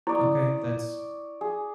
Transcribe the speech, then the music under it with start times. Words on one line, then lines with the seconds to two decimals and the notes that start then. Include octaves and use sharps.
Okay, that's
0.07 E4 C#5 D5 D#6
1.41 G#4